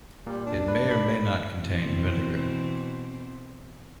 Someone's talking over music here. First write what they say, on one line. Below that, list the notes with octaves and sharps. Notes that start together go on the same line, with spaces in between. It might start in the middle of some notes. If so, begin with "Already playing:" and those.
It may or may not contain vinegar.
A#2 G3
D4
B4
B5
B2 E3 C4